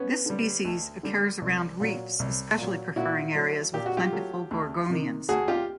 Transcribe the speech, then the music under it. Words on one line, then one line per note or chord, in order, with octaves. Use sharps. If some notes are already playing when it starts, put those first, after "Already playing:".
This species occurs around reefs, especially preferring areas with plentiful gorgonians.
Already playing: B3 C#4
D3 G3
D2
D3 G3
C2
A#2 F#3
C2
A#2 F#3
A#2 E4 F#4
F#3 A3
A#2 G4
F#4
F4 G4
F#3 A3
D2
C3 D#3
D2 F#4 G#4
F4 G4